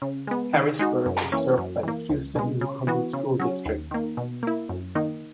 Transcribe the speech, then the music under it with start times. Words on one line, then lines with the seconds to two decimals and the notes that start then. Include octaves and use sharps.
Harrisburg is served by the Houston Independent School District.
0.02 C#3
0.27 G#3 B3
0.53 D#3
0.79 G#3 D#4 F#4
1.06 F#2
1.32 E3 A#3 C#4
1.58 F#2
1.83 E3 A#3
2.10 C#2
2.36 B2 G#3
2.61 C#3
2.87 E3 B3 F#4
3.13 C#3
3.40 F#3 C#4
3.65 D#2
3.91 D#3 A#3
4.17 B2
4.43 A#3 E4
4.69 F#2
4.95 D#3 A#3 D#4